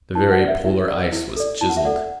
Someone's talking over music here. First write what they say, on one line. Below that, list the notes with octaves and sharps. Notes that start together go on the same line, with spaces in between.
The very Polar ice was chiseled.
E4 A5
F#5
D5
E5
E4 E5
D5
E4
A4 D5
E4 A5
F#5
E5
A4 D5 F#5